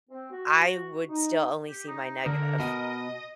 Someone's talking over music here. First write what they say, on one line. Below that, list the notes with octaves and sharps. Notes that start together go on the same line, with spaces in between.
I would still only see my negative.
C4
F#4
D#4
G4
D#4
D3 A#4
B2 D#5